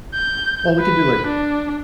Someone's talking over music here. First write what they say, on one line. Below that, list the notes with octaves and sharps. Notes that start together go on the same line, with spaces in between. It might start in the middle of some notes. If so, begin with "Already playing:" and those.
Well, we can do, like,
G6
B4
D4